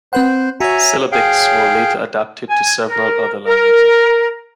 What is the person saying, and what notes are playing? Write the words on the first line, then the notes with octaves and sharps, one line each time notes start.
Syllabics were later adapted to several other languages.
C4 B4 C5 F#5
F#4 C#5 E5 G#5 A#5
G#4 F5 G5
G#5
A#4
A#4